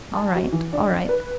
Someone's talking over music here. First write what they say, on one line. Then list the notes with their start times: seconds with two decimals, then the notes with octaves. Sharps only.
"All right, all right...."
0.14 A5
0.35 F#4
0.52 E3
0.73 D4
1.09 B4